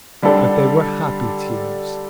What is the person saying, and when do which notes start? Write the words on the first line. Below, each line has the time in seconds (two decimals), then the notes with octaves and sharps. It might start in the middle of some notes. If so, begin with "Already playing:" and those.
But they were happy tears.
0.22 D3 G3 D4 A4